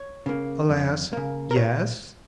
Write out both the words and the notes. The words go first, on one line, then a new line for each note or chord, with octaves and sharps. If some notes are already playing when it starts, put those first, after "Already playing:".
"Alas, yes."
Already playing: C#5
C#3 A#3
F2
C#3 A#3
A#4
A#2 C#5